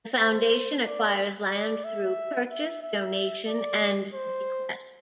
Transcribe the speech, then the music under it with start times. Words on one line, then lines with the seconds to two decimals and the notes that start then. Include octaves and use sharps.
The Foundation acquires land through purchase, donation and bequest.
0.20 C5
0.86 D5
1.52 D5
1.84 E5
2.50 E5
2.83 E5
3.48 D5
4.14 C5